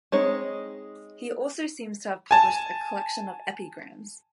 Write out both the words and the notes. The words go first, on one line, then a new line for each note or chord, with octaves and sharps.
He also seems to have published a collection of epigrams.
G#3 C4 D#4 C#5
G#5 A5